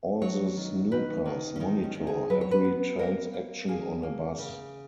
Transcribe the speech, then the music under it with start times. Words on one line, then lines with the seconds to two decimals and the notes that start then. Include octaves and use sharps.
All the snoopers monitor every transaction on a bus.
0.22 F#3 C#5
0.57 D#3
0.92 D#3 B4
1.26 D#3
1.56 C#4
1.60 D#3 D#4
1.84 C#4
1.95 D#3
2.07 G#4
2.30 F#3 B4
2.41 C#5
2.51 B4
2.65 B3
2.99 A#3 A#4
3.34 A#3
3.68 A#3 G#4
4.03 A#3
4.38 C#3